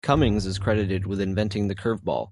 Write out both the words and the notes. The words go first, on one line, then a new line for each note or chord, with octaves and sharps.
Cummings is credited with inventing the curveball.
E2 G2